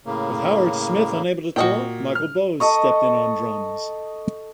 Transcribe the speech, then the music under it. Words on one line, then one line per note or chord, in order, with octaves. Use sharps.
With Howard Smith unable to tour, Michael Bowes stepped in on drums.
A2 C#3 A#3
A#2 F#4 D#5 G5
F6
A4 D#5 C#6